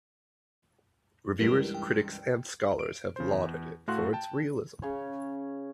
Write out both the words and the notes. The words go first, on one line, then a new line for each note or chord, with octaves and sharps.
Reviewers, critics and scholars have lauded it for its realism.
C#2 G2 E3 E4 G4 A#4
G5
D7
C#3 C5
E2
A2 A3 F#4 F5 C6 F#6
G5 A5
C#3 C#4 C#5